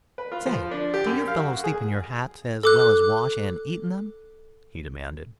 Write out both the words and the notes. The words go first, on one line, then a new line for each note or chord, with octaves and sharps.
"Say, do you fellows sleep in your hats as well as wash and eat in them?" he demanded.
B4
F4
F3
D4
G4
F#2
F5
F#4
G#4
A4 D6 F#6